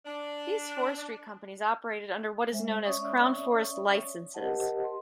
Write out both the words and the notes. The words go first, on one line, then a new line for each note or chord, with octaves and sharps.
These forestry companies operated under what is known as Crown Forest Licences.
D4
G#3 C5 E5
C#4 C#5 D5 E5 C#6 D#6
G4 A#4 C5 D#5 F#5 A5
C6